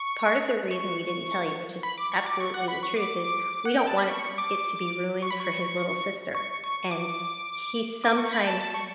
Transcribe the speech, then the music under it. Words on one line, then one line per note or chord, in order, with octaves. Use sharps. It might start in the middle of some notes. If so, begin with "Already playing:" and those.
"Part of the reason we didn't tell you," which is absolutely the truth, is, we don't want it it to be ruined for his little sister, and he sometimes
Already playing: C#6
C#6
B5
D6
C#6
D6
C#6
F#5
B5
C#6
D6
F#5
G5
A5
B5
C#6
D6
C#6
B5
C#6
C#6
C#6
D6
D6
C#6
B5
G5
A5
A5
C#6